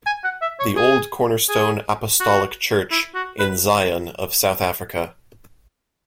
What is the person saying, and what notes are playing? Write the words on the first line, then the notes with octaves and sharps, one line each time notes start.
The Old Cornerstone Apostolic Church in Zion of South Africa.
G#5
F#5
E5
C#5
G#4
G#4
F#4
E4
F#4
B4